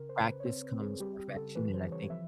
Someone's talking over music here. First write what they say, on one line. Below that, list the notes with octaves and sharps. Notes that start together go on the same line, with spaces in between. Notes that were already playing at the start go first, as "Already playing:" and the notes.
practice comes perfection, and I think,
Already playing: C#3 A#4
C5
C#3
B4
C#5
C4 C5
C4
G#4
G3 G4
G4
C#3
A4
E3 B4
C5
E3
C#5
F3 E5